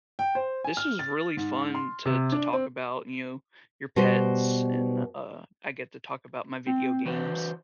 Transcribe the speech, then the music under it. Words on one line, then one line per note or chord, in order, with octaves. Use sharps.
This was really fun to to talk about, you know, your pets and, uh, I get to talk about my video games.
G5
C5
G#5
F6
A6
G#2
C6
C3
D4
C4
B2 G3 C5
C4
E3 F#4 B4 C5